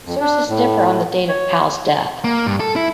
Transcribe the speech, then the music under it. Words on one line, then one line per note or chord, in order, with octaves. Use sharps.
Sources differ on the date of Powell's death.
F2
D4
A2
C#5
A#3
G2
A4
E4